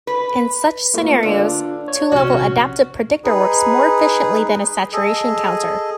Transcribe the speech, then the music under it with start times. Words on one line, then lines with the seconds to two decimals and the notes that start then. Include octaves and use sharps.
In such scenarios, two-level adaptive predictor works more efficiently than a saturation counter.
0.07 B4
0.94 A3 A#3 F4
1.23 D3 D4 F4
1.88 C#5
2.12 A#1 C3 C#4 F#4
3.24 D#4 G#4 B4
4.93 G#4 A4 D#5